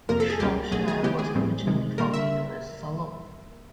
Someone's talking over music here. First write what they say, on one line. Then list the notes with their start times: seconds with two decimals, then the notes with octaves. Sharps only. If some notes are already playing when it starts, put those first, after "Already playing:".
Shropshire was originally formally known as 'Salop'.
0.09 F2 C3 F3 A#3 A#4
0.20 A4
0.30 G#4
0.40 C#2 B2 G3 A#3 C#4 G4
0.71 B1 B2 F#3 A3 G#4
0.88 G#4
1.03 D#2 C#3 E3 G#3 B3 G4
1.19 G#4
1.35 A2 E3 G3 C4
1.66 F2 C3 D#3 G#3
1.98 A#2 G3 A#3 A#4
2.13 E5